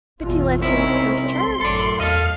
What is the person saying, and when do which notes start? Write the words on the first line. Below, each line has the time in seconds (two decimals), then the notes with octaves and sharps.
'But you left him to come to church.'
0.20 G#1 E2 B2 F4
0.60 C2 C4 C#4 D#4 E4
0.94 A#1
1.29 C4 C6
1.61 G#1 F#2 A2 A4 D5
2.00 E2 A4 D#5 F5